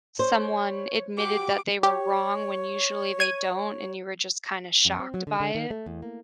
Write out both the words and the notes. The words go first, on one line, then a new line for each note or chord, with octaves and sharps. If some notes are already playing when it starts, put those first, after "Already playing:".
someone admitted that they were wrong when usually they don't and you were just kinda shocked by it?
C5 C#5
F#4 G4 D6
G4 C#5
G#6 D#7
F2
C4
F#3
D3
D3
D#3
A3
E2
A#3